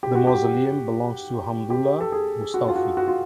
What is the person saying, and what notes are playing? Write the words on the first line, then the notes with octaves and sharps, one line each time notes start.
The mausoleum belongs to Hamdallah Mustawfi.
G4
F#4
G4
G4
A4
G#4
F#4
F4
F#4
F#4
F4